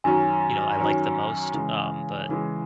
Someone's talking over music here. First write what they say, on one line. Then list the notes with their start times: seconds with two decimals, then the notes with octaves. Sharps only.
you know, I liked the most. Um, but
0.04 F#2 D#3 F#3 C#4 G#5
0.79 F#2 D#3 F#3 C#4
1.54 C#3 E3 G#3
2.29 C#3 E3 G#3